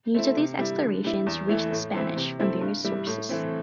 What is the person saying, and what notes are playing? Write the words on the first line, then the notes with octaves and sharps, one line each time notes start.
News of these explorations reached the Spanish from various sources.
A3 C4 E4
C3
G3 E4
D3
G3 E4
E2
E3 A3 E4
A2
E3 C4 E4
C3
A3 C4 E4
G2
G3 E4
A2
E3 A3 C4